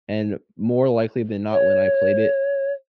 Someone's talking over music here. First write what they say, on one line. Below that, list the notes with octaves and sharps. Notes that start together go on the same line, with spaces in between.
and more likely than not when I played it,
C#5